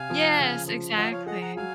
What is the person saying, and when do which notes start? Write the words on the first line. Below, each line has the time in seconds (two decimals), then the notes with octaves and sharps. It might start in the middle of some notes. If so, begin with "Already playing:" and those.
Yes, exactly.
Already playing: C3 F5 G#5
0.10 F3
0.39 C#3
0.68 F3
0.97 F3 D#5 F#5
1.12 C#5 F5
1.26 G#4 D#5 F#5
1.41 F#5 A#5
1.57 F#3 F5 G#5